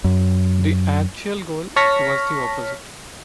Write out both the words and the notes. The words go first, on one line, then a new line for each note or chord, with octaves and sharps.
The "actual" goal was the opposite.
F#2
C#5 A5 C#6 F6 A#6 B6